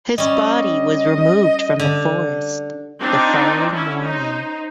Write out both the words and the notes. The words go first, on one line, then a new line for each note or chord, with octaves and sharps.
His body was removed from the forest the following morning.
G3 C#4 D#5
D3
C4 D4 D#4 F4
C#4 E4
D#4 C5